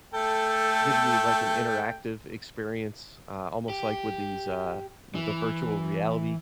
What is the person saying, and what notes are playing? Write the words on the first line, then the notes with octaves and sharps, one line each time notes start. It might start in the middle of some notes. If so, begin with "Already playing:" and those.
give you, like, an interactive experience, uh, almost like with these, uh, th the virtual reality
A3 A4 G5
G4
E3